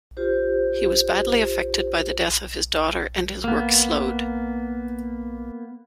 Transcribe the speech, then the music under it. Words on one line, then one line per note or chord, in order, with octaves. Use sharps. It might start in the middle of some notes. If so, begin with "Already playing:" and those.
He was badly affected by the death of his daughter and his work slowed.
F4 G4 C5
A#3 B3